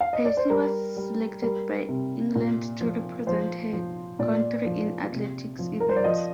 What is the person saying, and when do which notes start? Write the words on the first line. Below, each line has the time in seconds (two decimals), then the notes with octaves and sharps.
Piercy was selected by England to represent her country in athletics events.
0.00 F5
0.13 D#5
0.25 D5
0.37 C5
0.49 G3 A#4
0.97 G3
1.42 G3 A#4
1.89 C3
2.35 A#2
2.81 F3
3.27 F3 C5
3.73 F3
4.19 A#2 D5
4.65 F3
5.12 C3
5.59 F3
5.80 A#4
5.89 C5
5.96 D5
6.04 F3 D#5